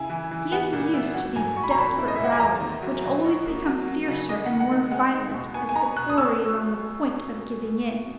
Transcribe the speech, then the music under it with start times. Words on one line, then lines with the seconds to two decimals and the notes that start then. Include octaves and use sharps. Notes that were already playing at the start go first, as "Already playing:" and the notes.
He is used to these desperate rallies, which always become fiercer and more violent as the quarry is on the point of giving in.
Already playing: C#3 E4 G#5
0.10 E3
0.31 E3
0.52 B3 F#5
0.73 A#2
0.93 E4
1.14 F#3 F#5
1.36 G#2 G#5
1.56 F#3 C#6
1.64 B5
1.71 A#5
1.77 A#2 B5
1.98 E4
2.08 D#5
2.16 E5
2.20 A#2 F#5
2.32 G#5
2.40 E2 A#5
2.61 D#3
2.83 F#3
3.04 B2
3.25 D#4
3.45 A#3
3.66 F#3
3.88 F#3
4.08 C#3
4.29 G#3 D#5
4.45 F#5
4.50 D#3
4.60 F#5
4.71 D#4
4.91 G#3 F#5
5.14 D#4
5.34 B2
5.54 B3 G#5
5.69 G#5
5.75 D#4 A#5
5.96 B2 F#6
6.10 D#6
6.18 C#4 E6